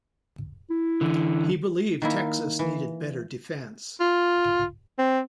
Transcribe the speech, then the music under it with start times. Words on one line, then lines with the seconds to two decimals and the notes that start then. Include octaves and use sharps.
He believed Texas needed better defense.
0.70 E4
1.01 D3 E3
2.02 D#3 A#3 E4
2.59 E3
4.00 F4
4.98 C4